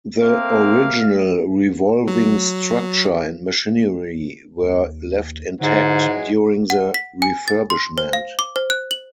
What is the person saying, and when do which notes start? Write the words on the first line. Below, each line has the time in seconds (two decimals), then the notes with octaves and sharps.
The original revolving structure and machinery were left intact during the refurbishment.
0.21 A3 A#3 C4 F5
2.08 F#3
4.63 D#2
5.61 G#2 D3 E3 F#3 G#3
6.70 F#5
6.94 B6
7.22 G#5
7.48 A6
7.70 C6
7.98 C5
8.13 F5
8.39 D6
8.56 C5
8.70 F#6
8.91 F#7